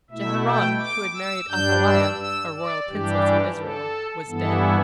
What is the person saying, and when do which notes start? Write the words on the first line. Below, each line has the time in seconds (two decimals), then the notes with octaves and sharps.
Jehoram, who had married Athaliah, a royal princess of Israel, was dead.
0.11 B2 A3 E4 E5
0.45 G5
0.79 D6
1.14 E6
1.49 G2 G3 D4 G6
1.84 E6
2.19 E6
2.54 D5
2.88 G2 E3 G3 D4 G4
3.58 A4
4.28 G2 E3 B3 E4 A4